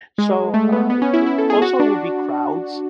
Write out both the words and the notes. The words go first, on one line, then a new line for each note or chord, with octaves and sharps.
So, uh, a also it will be crowds,
G#3
A3
B3
B3
C#4
E4
E4
A4
G#4
F#4
D4